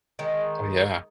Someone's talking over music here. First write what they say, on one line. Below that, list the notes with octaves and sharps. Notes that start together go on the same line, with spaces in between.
Oh yeah.
D#3 G#3